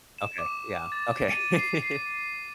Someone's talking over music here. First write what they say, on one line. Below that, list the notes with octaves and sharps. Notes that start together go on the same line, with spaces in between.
Okay, yeah, okay.
E7
D6
A6
D#7
C7
C7